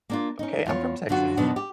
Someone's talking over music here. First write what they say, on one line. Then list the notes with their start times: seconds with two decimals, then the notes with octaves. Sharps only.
Okay, I'm from Texas.
0.10 A#3 D4 F4
0.39 C#4 D#4
0.66 E2 F4 C#5
1.09 F#2 D3 F#3 F4 F#4
1.37 F2 B2 D#3 F#3 B3 D4
1.56 G4